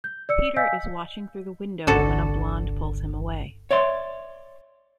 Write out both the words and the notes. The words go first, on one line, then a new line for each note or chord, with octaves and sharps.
Peter is watching through the window when a blonde pulls him away.
G6
D5 E6 C#7
D#5 F5 G#5 E6 G6 B6
G1 C2 D3 F#4 A4
C#5 D5 E5 C6